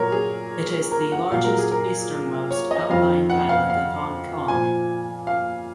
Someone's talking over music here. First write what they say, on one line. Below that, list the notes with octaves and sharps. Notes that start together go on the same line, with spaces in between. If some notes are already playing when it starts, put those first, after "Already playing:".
It is the easternmost outlying island of Hong Kong.
Already playing: A#2 F#3 A#4 C#5
G#4
A#4
F#5
A#2 F#3 F5
A#4
G#4
A#4
C#5
D#5
F2 F3 F5
F#5
F5
F5
A#2 F3 G#5
F5